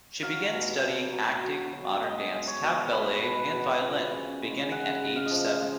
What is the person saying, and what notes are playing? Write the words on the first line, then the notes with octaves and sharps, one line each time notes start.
She began studying acting, modern dance, tap, ballet and violin, beginning at age seven.
F#3 F5
B2
B2
F#3
F#3
F#3
G#3 D#5
G#3
C#5
B2
G#3 B4
B2
B2
F3
C#3
G#3
C#3 F#5
C#3
F5
D#5
F3 F5
G#3 F5